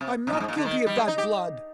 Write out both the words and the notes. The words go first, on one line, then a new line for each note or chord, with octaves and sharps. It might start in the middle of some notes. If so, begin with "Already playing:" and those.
I'm not guilty of that blood!
C3
C3
A#2
G#2
A#2
D3
D#3
G3
G#3
D#4
G4